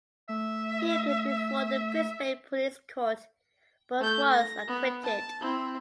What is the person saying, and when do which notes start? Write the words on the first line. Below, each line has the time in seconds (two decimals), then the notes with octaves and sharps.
He appeared before the Brisbane Police Court but was acquitted.
0.29 A3 E5
4.00 A3 G6
4.33 A#6
4.68 B3
5.03 A5
5.40 C4 E4